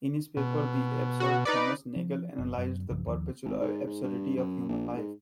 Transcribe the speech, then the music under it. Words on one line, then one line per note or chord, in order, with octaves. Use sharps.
In his paper, "The Absurd", Thomas Nagel analyzed the perpetual absurdity of human life.
B2
F#4
D#4 B4 D5 D6
F3
F#1
F#2
B1 G2 C#3 F3
D#2 D#3 F3
G#1
G#2
G#2
G2
F#2
A#1
G#2